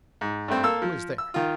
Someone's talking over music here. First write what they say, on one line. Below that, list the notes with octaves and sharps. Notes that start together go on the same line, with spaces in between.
"Who is there?"
G#2
G2 A3 C4
A#3 A4 E6
F3
E6
D#3 F4